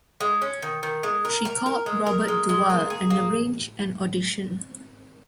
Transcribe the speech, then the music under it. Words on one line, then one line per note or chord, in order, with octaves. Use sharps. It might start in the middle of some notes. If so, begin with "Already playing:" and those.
She called Robert Duvall and arranged an audition.
G#3
C#4
D#3
D#3
G#3
A#4
A#4
A#4
G#3
A#4
G#3
G#3
A#3
G#4
A#3